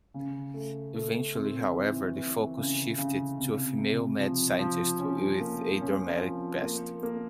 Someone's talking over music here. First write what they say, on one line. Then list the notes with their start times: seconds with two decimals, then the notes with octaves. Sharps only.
Eventually, however, the focus shifted to a female mad scientist with a dramatic past.
0.14 C#3
0.54 A3
0.95 A3
1.35 C4
1.75 E3
2.16 E3
2.57 C#3
2.98 C#3
3.38 C3
3.78 C3
4.19 F3
4.59 F3
5.00 C#4
5.40 A#3
5.81 C#4
6.21 F3
6.62 A#3
7.03 A#3